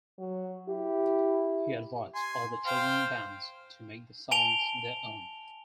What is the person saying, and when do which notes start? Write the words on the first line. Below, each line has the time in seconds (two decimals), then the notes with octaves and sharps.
He advised all the chosen bands to make the songs their own.
0.18 F#3
0.68 E4 G4
2.15 G#5 C6
2.66 C5 F5 G5
4.31 G#5 A5 D7 F7 G7